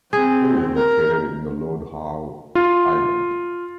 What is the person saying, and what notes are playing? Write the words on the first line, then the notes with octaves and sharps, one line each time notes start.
It is located in the Lord Howe Island.
C4 G#4
A#4
F4